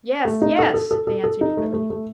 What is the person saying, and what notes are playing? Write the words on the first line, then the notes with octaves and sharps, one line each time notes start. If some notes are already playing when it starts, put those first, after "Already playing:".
"Yes, yes," they answered eagerly.
A3
D#4
A4
A4
A4
A4
A4
D#4
A3
A3
A3